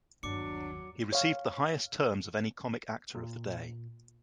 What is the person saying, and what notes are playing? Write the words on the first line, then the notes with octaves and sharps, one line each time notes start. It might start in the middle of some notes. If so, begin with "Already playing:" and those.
He received the highest terms of any comic actor of the day.
G1 D#2 F#3 D4 D6 C#7
C#5 F5
A#2